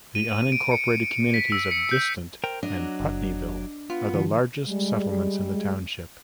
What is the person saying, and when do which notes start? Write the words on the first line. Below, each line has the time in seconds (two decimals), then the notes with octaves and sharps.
The unincorporated communities of Distant and Putneyville are the largest settlements in the township.
0.15 D#7
0.52 D7
0.72 C#7
1.34 B6
1.52 E6
1.71 C#7
1.91 G6
2.44 A#4 C5 G5
2.63 F#3 D4 D#5 D6
3.00 F#1
3.90 B3 F4
4.14 D3 E3
4.68 G3 G#3